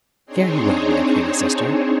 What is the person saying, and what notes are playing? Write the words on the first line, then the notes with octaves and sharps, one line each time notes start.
Fare you well, my pretty sister.
C4 D4 D#4 G#4 C5 C#5